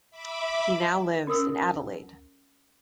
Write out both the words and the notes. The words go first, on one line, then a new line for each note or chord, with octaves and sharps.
He now lives in Adelaide.
E5 B5 D6
C#4 A#4 D#6 E6